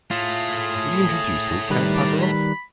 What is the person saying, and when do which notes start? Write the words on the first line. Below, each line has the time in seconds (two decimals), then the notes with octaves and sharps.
"Will you introduce me, Count Pateroff?"
0.11 A2 A3 F4 G#4
1.70 D#3 G3 B4
1.94 D5
2.22 B5